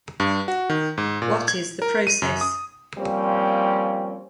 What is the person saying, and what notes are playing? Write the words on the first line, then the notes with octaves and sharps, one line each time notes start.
What is the process?
G2
F#4
D#3
G#2
A#2
G#6
A#4
D#7
F#2
D#6
F3 G3 A#3 C4 C#4